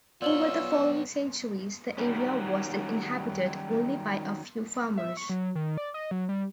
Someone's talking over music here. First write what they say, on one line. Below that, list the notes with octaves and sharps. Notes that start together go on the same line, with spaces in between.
Over the following centuries, the area was then inhabited only by a few farmers.
B3 F4 C#5 D5 E6 F#7 G7
D#3 F#3 G3 B3 C#4
E5
C#6
F#3
D#3
D5
D#5
F#3
G3